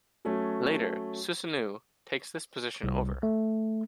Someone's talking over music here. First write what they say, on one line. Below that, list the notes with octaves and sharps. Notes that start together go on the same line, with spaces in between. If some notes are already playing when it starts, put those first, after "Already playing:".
Later Susanoo takes this position over.
F#3 A3 C#4
C2
A3